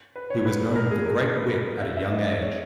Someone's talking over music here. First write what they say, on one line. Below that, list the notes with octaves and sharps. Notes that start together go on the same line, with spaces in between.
He was known for great wit at a young age.
B4
C#5
B4
A#4
G#4
A#4
A#4
B4
A#4
E5
E5
D#5
D#5
C#5